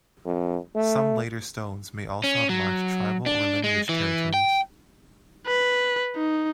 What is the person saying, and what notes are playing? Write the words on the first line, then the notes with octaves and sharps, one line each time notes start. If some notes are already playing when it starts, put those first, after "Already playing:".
Some later stones may also have marked tribal or lineage territories.
F2
A3
C#4
F#3
D4
G#3
E3
G5
B4
D#4